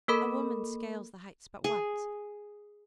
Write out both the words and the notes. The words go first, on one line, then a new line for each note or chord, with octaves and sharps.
A woman scales the heights but once.
A#3 A4 A#4 B5
G#4